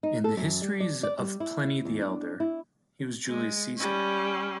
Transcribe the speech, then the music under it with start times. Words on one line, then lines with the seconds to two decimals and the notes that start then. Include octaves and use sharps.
In "The Histories of Pliny the Elder", he was Julius Caesar.
0.03 D#4
0.24 A4
0.37 F#2
0.62 G3
0.80 D5
1.03 D5
1.19 G3
1.40 E4
1.85 E2
2.01 D4
2.40 E4
3.27 G#3
3.78 G3 C#4